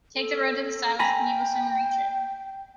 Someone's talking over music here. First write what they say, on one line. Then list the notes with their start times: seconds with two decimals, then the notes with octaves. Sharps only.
Take the road to the South and you will soon reach it.
0.16 A4
0.99 G5 G#5 A#5 B5